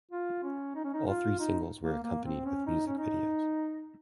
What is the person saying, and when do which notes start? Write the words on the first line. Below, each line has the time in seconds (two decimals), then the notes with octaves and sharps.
All three singles were accompanied with music videos.
0.11 F4
0.43 C#4
0.75 D#4
0.85 C#4
0.94 D#4
1.08 F4
1.40 D#4
1.82 A#3
2.03 A#3
2.25 C4
2.45 C#4
2.67 D#4
2.87 C#4
2.99 D#4